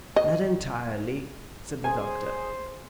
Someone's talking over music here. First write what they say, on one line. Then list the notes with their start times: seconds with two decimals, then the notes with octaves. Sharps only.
"Not entirely," said the doctor.
0.16 D#5
1.84 G#4 C5 G#5